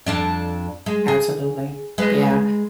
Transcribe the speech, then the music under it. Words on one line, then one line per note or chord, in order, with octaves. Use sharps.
Absolutely. Yeah.
F2 D4 D5
G#3
G#4
G#3 B4